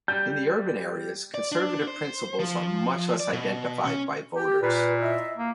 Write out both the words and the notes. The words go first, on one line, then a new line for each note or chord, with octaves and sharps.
In the urban areas, conservative principles are much less identified by voters.
G3 G6
D5
D4
C5
F3
D5
B2
C#4
G4
A#2 B4
E4 D#5 E5
A#3